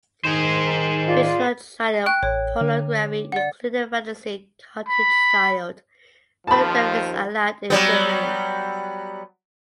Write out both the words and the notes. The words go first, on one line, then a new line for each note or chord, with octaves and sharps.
Fictional child pornography including fantasy cartoon child pornography is allowed in Finland.
D#3 G#4 C5
F4 D5
G5 C#6 F#6
A1 C#5
D3
D5 F#5
B5
D#2 F3 A5 B5
F#3 G3 B3